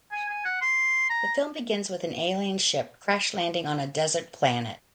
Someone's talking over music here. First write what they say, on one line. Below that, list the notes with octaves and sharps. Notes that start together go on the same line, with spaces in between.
The film begins with an alien ship crash landing on a desert planet.
G#5
G#5
F#5
C6
A#5